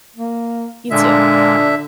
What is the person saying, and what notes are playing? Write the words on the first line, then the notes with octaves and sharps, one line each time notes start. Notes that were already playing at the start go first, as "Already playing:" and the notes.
You too.
A#3
A#2 D3 G#3 D4 E5